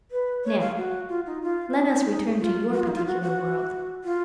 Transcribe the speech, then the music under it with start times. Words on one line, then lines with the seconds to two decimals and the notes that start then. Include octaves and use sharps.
Now let us return to your particular world.
0.11 B4
0.44 C#5
0.60 F5
0.77 F#4
1.09 F4
1.26 D#4
1.43 F4
1.75 D#4
2.40 F4
2.73 F#4
2.80 F4
2.88 D#4
2.95 F4
3.06 F#4
3.22 F#4
4.04 F4